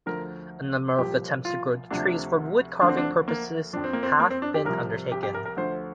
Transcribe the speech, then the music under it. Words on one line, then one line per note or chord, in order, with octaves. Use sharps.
A number of attempts to grow the trees for woodcarving purpose have been undertaken.
D2 D3 F3 A#4
C2 A#2 F3 G4
F4
D2 C3 F3 D4
D2 D3 F3 D4
C4
D4
A#3
F2 F3 D4
C4
A#3
C4
A#3
C4
D4
G4
C2 C3 F3 A#4
G4
G4
A#4
A#4
D2 D3 F3 C5